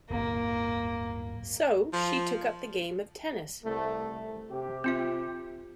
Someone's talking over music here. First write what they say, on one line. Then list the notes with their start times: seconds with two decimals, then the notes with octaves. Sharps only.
So, she took up the game of tennis.
0.10 D1 G1 A#2 A#3
1.93 F3
3.64 C2 A3
4.50 C3 G4
4.84 C4 F4 E5